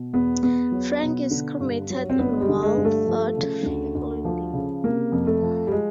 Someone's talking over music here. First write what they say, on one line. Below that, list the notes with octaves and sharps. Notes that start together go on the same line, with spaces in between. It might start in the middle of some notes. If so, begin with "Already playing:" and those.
Frank is cremated in Walford the following day.
Already playing: B2
E2 B3
E2 B3
F#3
B2
D3
G2
F#3
C4
G1 B3
G3
D3
G#3
G2
A3
F3
C#3
D2
D2
F3
C#3
C3 A#3
F2
A3
F3
G3
G#3